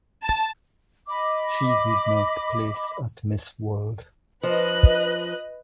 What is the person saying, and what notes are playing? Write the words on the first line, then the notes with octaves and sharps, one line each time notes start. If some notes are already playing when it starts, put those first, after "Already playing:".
She did not place at Miss World.
A5
D#5 B5 D6
F3 B4 D#5 F#6